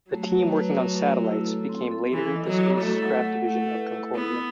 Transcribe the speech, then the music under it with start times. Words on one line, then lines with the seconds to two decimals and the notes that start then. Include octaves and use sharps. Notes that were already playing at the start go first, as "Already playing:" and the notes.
The team working on satellites became later the Spacecraft division of Space Concordia.
0.12 F#3 A3
0.34 B4
0.57 B4
0.80 A3
1.02 A3
1.24 E4
1.46 A4
1.69 C4
1.91 A4
2.13 E3 E4
2.36 D#5
2.47 F#3
2.58 E4
2.80 A3 E4
3.03 F#5
3.25 F#5
3.48 A3 E4
3.70 B4
3.92 E4
4.15 B3 E4